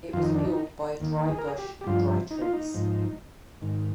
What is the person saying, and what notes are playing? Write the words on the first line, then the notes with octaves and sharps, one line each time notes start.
It was fueled by dry bush and dry trees.
F2 D#3 F4
D#4
D4
D#4
D#2 D#3
G#4
A#4
G#4
G4
G4
G2 F3 F4
D#4
F4
D#4
G#2 F3
G#2 D#3